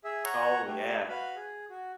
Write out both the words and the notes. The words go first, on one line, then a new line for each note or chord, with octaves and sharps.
Oh, yeah.
G#4 E5
C#5 F#5 A#5 C#6
A3 G4
F#4 B4 F5 B5
G#4
F#4